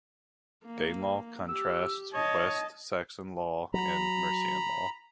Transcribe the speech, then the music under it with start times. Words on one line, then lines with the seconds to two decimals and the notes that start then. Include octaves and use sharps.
Danelaw contrasts West Saxon law and Mercian law.
0.66 A#3
1.48 G4 E6
2.14 C#5 D#5 A5
3.74 F#3 A#5 B5